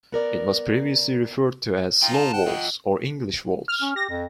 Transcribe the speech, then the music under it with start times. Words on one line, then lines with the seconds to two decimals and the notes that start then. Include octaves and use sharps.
It was previously referred to as Slow Waltz or English Waltz.
0.12 B3 A#4 D5
2.02 F#3 D#4 F4 G5
2.14 A5
2.33 F#5 G5
2.47 F3 F4 D#5
3.68 F6
3.82 C#4
3.96 G4 A#6
4.09 F2